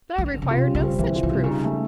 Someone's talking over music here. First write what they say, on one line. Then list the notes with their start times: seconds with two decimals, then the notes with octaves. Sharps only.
But I require no such proof.
0.18 E3
0.26 D#3
0.34 D3
0.42 C#3
0.49 C3 F4
0.67 G3
0.75 C#3
0.83 C4
0.99 D3 E3
1.15 F4
1.23 C#3
1.31 C3 G3
1.43 C#3 D#4
1.64 A3